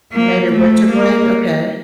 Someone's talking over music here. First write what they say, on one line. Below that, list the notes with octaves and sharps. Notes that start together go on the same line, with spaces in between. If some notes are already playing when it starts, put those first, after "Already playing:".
Maybe winter break, okay.
A#3
A3
A#3